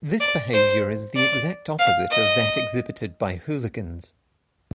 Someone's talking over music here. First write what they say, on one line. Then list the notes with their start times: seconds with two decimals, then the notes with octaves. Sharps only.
This behavior is the exact opposite of that exhibited by hooligans.
0.20 D5
0.53 C5
1.16 D5
1.79 F5
2.11 D#5